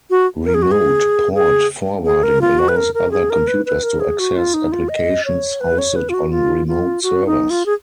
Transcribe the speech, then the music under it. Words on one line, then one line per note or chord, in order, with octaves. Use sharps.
Remote port forwarding allows other computers to access applications hosted on remote servers.
F#4
A#4
G#4
F#4
G#4
G#4
G#4
A#4
F4
F#4
B4
A#4
A#4
G#4
A#4
B4
B4
A#4
G#4
F#4
F4
D#4
F4
D#5
C#5
B4
C#5
B4
F4
F#4
F4
F4
F#4
D#4
F4
G#4